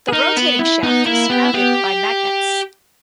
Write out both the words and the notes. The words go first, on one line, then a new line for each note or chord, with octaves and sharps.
The rotating shaft is surrounded by magnets.
G#4
D#4 A#4
B3
E4
B3 D#4
A#3 E4
B3 G4
E4
B3 G4